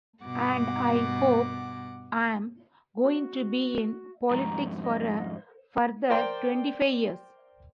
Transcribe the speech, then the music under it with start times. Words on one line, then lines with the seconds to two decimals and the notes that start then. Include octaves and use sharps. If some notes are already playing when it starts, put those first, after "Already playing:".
And I hope I'm going to be in politics for a further twenty-five years.
0.23 G2 B2 F#5 D6
3.02 F#4
4.31 F2 G#2 A#5
4.82 D#5
6.10 A#4 C5 D5 G5 C6